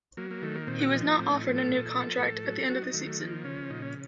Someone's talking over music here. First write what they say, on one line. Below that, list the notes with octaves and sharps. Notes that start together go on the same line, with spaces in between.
He was not offered a new contract at the end of the season.
F#3 A#3
A#3
D#3 A3
A#3
A#2 C4
F#4
F3 D#4
A#3
A2 C4
D#4
F3
A4
A#2
F3
A2
F#3
F#3 F#4
D#4
D#3 A3
A3
F3 A#3
C#3 C#4
A#2 D#4
C#4